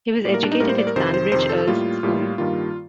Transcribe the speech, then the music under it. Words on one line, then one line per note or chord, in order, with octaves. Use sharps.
He was educated at Stanbridge Earls School.
A2 G3 A#3 D5
A#4
D4
D#4
A2 G3 A#3 A#4
C5
D5
A#4
F2 C3 D#3 C5
C5
F2 C3 D#3 C5
A4
A2 G3 A#3 F4
A2 G3 A#3
G2 D#3 G3 A#3 F4